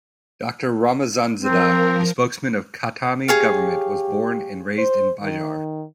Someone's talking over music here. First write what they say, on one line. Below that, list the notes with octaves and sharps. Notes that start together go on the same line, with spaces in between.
Doctor Ramezanzadeh, the spokesman of Khatami government has was born and raised in Bijar.
F3 C4 A#4
G4 G#4 C#5 F5
C5
D#3